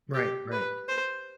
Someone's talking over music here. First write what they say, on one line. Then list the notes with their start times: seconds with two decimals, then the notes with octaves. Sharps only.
Right, right.
0.14 G4
0.52 B4
0.89 C5